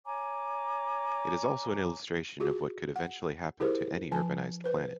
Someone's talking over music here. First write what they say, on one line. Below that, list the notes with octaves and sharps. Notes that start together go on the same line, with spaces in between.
It is also an illustration of what could eventually happen to any urbanized planet.
C#5 G#5 A#5 D6
F4 F#4 G#4
F#5
E4 G4 G#4 A#4 C5
F3 G#5 A5
B4 C5